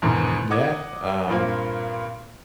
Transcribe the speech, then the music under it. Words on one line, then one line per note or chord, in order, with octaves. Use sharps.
Yeah, um,
E2 G#2 B2 D3 D#3
D#5 F#5 D6 D#6 G#6
G2 A#2 A#3 C4